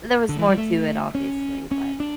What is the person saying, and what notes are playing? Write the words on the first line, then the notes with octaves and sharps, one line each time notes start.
there was more to it, obviously, but
D3
E3
G3
A3
C#4
C#4
D4